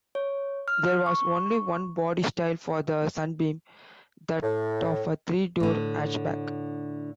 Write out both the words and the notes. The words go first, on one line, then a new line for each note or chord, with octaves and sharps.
There was only one body style for the Sunbeam, that of a three-door hatchback.
C#5
F6
C#6
A2
A2 D3